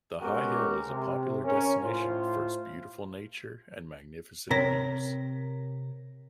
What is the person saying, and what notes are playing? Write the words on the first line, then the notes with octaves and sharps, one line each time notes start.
The high hill is a popular destination for its beautiful nature and magnificent views.
G#3 B3 C#4 F#4 G4 A#4
C3
C#4 A#4
A2 F4 C5
C3 A#4 C#5 A#6 B6